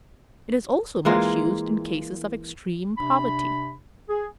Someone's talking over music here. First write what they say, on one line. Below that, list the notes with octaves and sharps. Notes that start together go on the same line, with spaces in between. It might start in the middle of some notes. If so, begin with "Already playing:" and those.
It is also much used in cases of extreme poverty.
E3 G#3 A#3 F4
C3 D4 B5
G#4